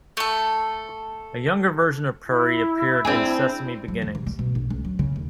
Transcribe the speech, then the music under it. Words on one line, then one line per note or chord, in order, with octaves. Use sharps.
A younger version of Prairie appeared in "Sesame Beginnings".
A3 A4
E4
C4 D4 G#4
F#3
E2
C3
G3
B2
A#1
C#2
F#3
C#3
D#2